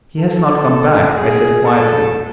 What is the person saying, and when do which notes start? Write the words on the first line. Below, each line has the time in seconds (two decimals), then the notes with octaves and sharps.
"He has not come back," I said quietly.
0.19 A4
1.16 G#4
1.65 A4